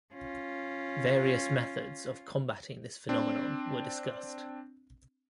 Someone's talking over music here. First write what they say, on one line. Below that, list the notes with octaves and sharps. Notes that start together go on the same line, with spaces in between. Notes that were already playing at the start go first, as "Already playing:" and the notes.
Various methods of combatting this phenomenon were discussed.
C#4 F4
C4 D4